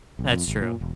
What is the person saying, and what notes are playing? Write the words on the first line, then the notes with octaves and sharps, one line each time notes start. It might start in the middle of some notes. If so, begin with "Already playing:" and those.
That's true,
B1
F2
G#1
A#2
E1